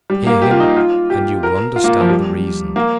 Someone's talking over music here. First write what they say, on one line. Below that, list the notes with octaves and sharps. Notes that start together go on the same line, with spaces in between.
Hear him and you will understand the reason.
G3
A#3
G4
F4
D#4
F4
G4
A#4
F4
A#3
F3
G3
A#3